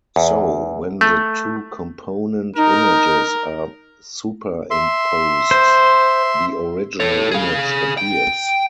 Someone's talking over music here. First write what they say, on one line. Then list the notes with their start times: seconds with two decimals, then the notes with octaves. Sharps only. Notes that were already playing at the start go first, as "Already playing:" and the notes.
So, when the two component images are superimposed, the original image appears.
0.16 E2
1.01 A3
2.56 D#4 A#4
4.70 E5 C6
5.51 C5
7.00 A4 C#5
7.32 G#4 F5
7.97 G5